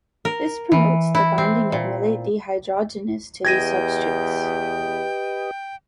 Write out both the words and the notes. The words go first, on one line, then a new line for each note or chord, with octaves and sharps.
This promotes the binding of malate dehydrogenase to these substrates.
A#4
E3
E4
C4
A#2
E2 G4 B4 D#5 G5 G#6 A#6 D#7